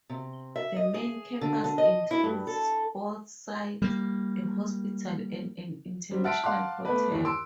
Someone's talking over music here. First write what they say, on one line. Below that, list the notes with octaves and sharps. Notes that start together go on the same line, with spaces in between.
The main campus includes sport sites, a hospital, and an international hotel.
C3
E5
D#5
G#4
D3
D3
D#5
E4
G2
A4
G3 A#3
F#3 G3 C4
E5 F#5 A5 F6 A6 D7
F5 F#5 A5 C6 D6 F#6
A3 B3 B4
D#2 E3 D5
C6 D6 E6 D7